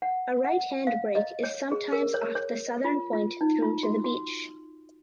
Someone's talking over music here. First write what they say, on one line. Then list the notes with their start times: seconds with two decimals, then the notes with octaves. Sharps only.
A right hand break is sometimes off the southern point through to the beach.
0.02 F#5
0.45 F#5
0.87 F5
1.15 D#5
1.43 C#5
1.71 G#4
1.92 A#4
2.14 C#5
2.35 C#5
2.84 F4
3.13 F4
3.41 D#4
3.62 F4
3.83 F#4
4.04 F#4